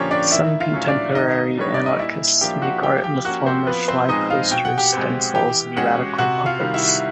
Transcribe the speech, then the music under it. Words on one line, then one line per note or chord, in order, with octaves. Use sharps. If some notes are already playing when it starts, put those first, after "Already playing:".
Some contemporary anarchists make art in the form of flyposters, stencils, and radical puppets.
Already playing: D3 F3 A#3 C#4 D4 G4 C#5 G5
D4 D5
D#3 E4 E5
F4 F5
F#3 A3 C#4
D4 D5
D#3 D#4 D#5
G3 B3 D4 C#5
D5
D#5
A#2 E4 E5
F3 A#3 D4 G4 G5
F#4 F#5
F3 G4 G5
G4 G5
A#3 C#4 F#4 F#5
C4 C5
F3 B3 B4
C4 C5
G#3 B3 D#4 D#5
F4 F5
B2 G5
F#5
G4 G5
G#3 C4
E3 G4 G5
G#3 C#4 F#4 F#5
C3 F#4 F#5
F4 F5
D#3 G3
E4 E5